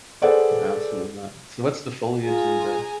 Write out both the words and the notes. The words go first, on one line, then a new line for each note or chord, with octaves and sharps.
Absolutely not. So, what's the foliage and the
G#4 A4 B4 C5 D5 F#5
F4 G#4 G#5 A#5